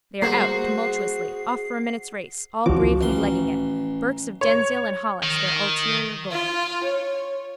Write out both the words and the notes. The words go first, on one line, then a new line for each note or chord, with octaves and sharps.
They are out, tumultuously, off for a minute's race, all bravely legging it, Burke's of Denzille and Holles their ulterior goal.
G3 A#3 F#4 G#4 C5 C7
C#2 F3 F#4 D6
A1 C6
C#5
D#3
F4
C#5